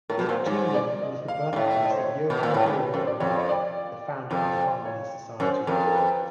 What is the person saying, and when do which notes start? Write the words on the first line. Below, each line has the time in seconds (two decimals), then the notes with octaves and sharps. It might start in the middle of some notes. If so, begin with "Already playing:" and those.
Iptingen was the birthplace of Johann Georg Rapp, the founder of the Harmony Society.
0.10 A2 A#4
0.19 B2
0.29 A#2 C5
0.46 G#2 C#5
0.74 D5
1.02 D#5
1.28 F5
1.53 G#2
1.56 A2 E5
1.70 E5
1.84 D#5
1.90 C5
1.98 C#5
2.11 C#5
2.30 B2
2.38 A#2 C5
2.54 A2
2.66 G#2 B4
2.80 B4
2.94 F#2 C5
3.07 D5
3.20 F2 C#5
3.37 D#5
3.49 D5
4.31 F2
4.85 C#5
5.40 F#2 C5
5.67 F2 A#4
5.87 A#4
5.95 B4